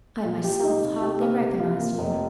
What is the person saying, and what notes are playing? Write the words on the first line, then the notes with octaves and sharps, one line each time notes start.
I myself hardly recognised you.
A#2
G4
D#4
C3
G4
A#3
C3
F4
A#3
F1